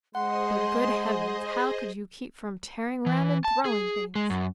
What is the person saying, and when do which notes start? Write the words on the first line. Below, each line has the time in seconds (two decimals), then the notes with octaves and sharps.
"But, good Heavens, how could you keep from tearing 'round and throwing things?"
0.15 G#3 G#4 C5 D#5 F#5 C6
3.06 E3
3.44 A5
3.65 G#4
4.15 G#3
4.30 F#2